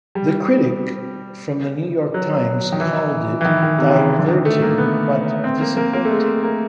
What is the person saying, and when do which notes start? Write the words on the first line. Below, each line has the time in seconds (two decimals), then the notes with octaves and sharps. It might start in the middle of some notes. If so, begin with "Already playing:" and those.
The critic from the "New York Times" called it "diverting but disappointing".
0.15 G3
2.14 F#3
2.72 D#3
2.80 E3
3.41 E3
3.45 D#3
3.63 D#3
3.78 C3
3.90 C3
3.96 C#3
4.19 D3
4.28 D#3
4.45 A3
4.62 A#3
4.78 B3
5.44 C4
5.61 A#3
5.77 A#3
5.93 A#3
6.05 A3
6.10 G#3
6.43 A#3